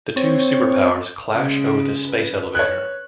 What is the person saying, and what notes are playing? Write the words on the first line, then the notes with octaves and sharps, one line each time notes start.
The two superpowers clash over the space elevator.
C4 C#5
C#3 G#3
B4
C#5 F#6